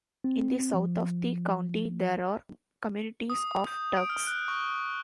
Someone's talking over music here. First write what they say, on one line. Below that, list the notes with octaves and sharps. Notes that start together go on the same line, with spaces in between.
In the south of the county there are communities of Turks.
C4
F3
D#6
G6
D7
F6
F#6
C#6